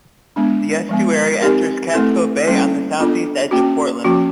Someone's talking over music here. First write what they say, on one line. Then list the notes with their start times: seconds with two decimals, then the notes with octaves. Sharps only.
The estuary enters Casco Bay on the southeast edge of Portland.
0.36 G#3 B3 D4
0.89 F3 G#3 B3
1.41 C4 D#4 G4 A#4
1.94 A3 C4 E4 A4
2.47 G3 A#3 C#4 E4 A4
2.99 B3 D4 F4 A4
3.51 A#3 C#4 F#4
4.04 F3 A#3 C#4 F#4